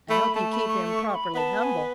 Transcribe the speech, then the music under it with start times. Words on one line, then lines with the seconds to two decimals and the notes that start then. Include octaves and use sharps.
I hope you keep him properly humble.
0.10 A3 B5
0.35 A3 A5
0.52 B5
0.68 C#6
0.85 C#6
1.10 C#6
1.15 B5
1.34 B3 A5 B5
1.59 A5
1.64 G#5